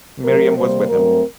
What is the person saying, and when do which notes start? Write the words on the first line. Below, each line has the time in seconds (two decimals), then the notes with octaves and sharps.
Miriam was with him.
0.24 C3 F#3 A3 A#4
0.57 C3 G3 A#3 C5
0.89 G2 F#3 A3 C4 A#4